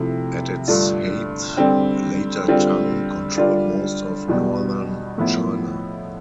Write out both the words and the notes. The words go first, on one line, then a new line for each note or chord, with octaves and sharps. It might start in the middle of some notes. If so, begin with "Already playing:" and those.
At its height, Later Tang controlled most of northern China.
Already playing: C3 F3 A3 E4
G2 D3 A3 D4 F4
D3 G3 C4
D3 G3 C4 F4
D3 G3 D4 F4
E2 B2 G3 B3
A2 F3 B3 E4